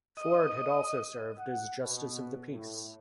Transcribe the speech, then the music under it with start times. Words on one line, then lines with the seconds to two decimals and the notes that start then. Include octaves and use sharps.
Ford had also served as justice of the peace.
0.17 D#5
1.38 F#5
1.80 B2
2.50 A2